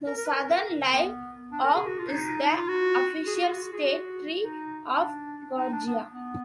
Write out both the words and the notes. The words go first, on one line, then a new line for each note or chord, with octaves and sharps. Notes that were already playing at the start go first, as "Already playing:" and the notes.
The southern live oak is the official state tree of Georgia.
A#4
A#4
B4
A#4
B3
D4
A#4
G#4
F#4
F4
D#4
D#4
F4
F#4
G#4
F#4
F4
F#4
G#4
F#4
D#4
D4
D#4
D4
B3
B3